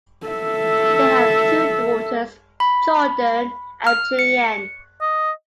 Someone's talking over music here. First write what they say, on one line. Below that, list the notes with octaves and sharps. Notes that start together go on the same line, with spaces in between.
They have two daughters, Jordan and Julianne.
A4 E5
B5
F6
C#7
D#5